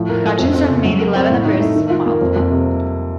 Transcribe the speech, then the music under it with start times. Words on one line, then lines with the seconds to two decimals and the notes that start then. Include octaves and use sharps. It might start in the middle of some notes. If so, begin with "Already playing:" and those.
Hutchinson made eleven appearances for Malta.
Already playing: A2 F3
0.09 A#4
0.24 A3
0.39 F2
0.55 C4
0.69 C#3
0.85 F#3
1.00 A#4
1.15 C4
1.30 A2
1.45 D#4
1.60 A3
1.76 D#3
1.90 F4
2.06 A#3
2.21 F2
2.36 F2
2.51 C3